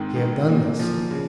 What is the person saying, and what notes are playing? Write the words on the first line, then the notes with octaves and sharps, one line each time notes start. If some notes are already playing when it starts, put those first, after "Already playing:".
He had done this.
Already playing: G#2 D#3 C4
D#3
A#2
F3
C#3